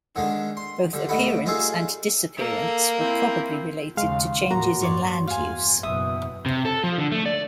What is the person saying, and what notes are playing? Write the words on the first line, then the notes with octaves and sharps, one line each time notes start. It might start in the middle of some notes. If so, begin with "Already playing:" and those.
Both appearance and disappearance were probably related to changes in land use.
D3 D#3 G#3 D4
C6
D3 G3
C2 D#3 A3 A4 F#5 B5
G3 D#4 F4 G#4 A4 E5
A#3 A4
C4 E4
D#2 C#3 G#3 F5 C6
A2 A#3 F#4 A#5
G2 C#5 D5
E2 F5 G#5
F#1 B2 E5 D#6
C3
A4
F3
D3
A3
D5